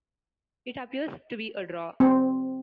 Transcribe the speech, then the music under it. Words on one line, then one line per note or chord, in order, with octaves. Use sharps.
It appears to be a draw.
C4